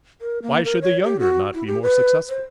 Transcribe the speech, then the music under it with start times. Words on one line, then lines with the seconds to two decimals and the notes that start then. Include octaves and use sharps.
Why should the younger not be more successful?
0.21 A#4
0.42 A#3
0.64 A#4
0.81 C#5
1.04 G4
1.19 F#4
1.54 E4
1.67 G4
1.83 B4
2.29 C5